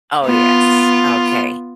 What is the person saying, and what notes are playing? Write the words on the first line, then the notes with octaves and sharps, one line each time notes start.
Oh, yes. Okay.
B3 F4